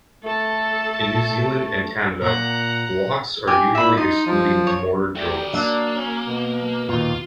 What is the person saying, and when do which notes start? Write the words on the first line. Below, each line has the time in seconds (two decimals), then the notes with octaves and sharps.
In New Zealand and Canada, blocks are usually excluding mortar joints.
0.24 A3 A4 A5
2.21 A#2 F#5 A#5
3.47 G4 G#5
3.75 A#2 E5 B5
3.97 D#4 D#5 C6
4.26 F3
4.67 C#5
5.16 A3 F#4 G4 D5
5.54 F#3 A#3 D4
5.96 C#4
6.27 B2
6.89 D#2 A#2 F4